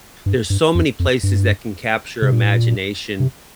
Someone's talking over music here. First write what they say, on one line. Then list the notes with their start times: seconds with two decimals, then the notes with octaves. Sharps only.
there's so many places that can capture imagination,
0.26 G2
0.50 G2
0.75 F2
1.00 F2
1.23 G2
2.22 C3
2.33 A#2
2.43 A2
2.55 A#2
3.20 C3